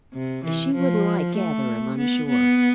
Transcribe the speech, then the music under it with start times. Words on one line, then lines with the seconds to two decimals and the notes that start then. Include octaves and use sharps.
"She wouldn't like Gatherum, I'm sure."
0.13 C3
0.44 E3
0.75 F3
1.36 A3
1.98 B3
2.29 B3